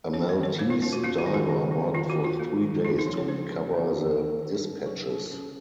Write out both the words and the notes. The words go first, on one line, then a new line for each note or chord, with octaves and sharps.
A Maltese diver worked for three days to recover the dispatches.
C#4 C#5
C5
D#3
C#5
A#3 C5
F4
C#4 F4
F#4
A#3 F4
F#4
D#3
D#4
D#3
D#3
D#3 F4
F#4
D#3
F4
A#3
D#3
C4 F4
D#4
F3
C#5
F3 C5
F3
A#3
D#3
D#3
D#3
C#4
F#3
C#4
C#4